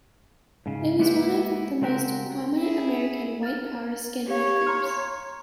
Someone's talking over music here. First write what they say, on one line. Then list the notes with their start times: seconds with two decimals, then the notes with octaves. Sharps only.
It was one of the most prominent American white power skinhead groups.
0.66 G#2 C#3
0.99 G#3 A#3 B3 E4 G4 B4
1.82 C#3 G#3 C4 F#4 G4 A#4
2.56 E4 G#4
3.43 F6 A6
4.28 G4 C#5 F5
4.66 A#5 C6 F6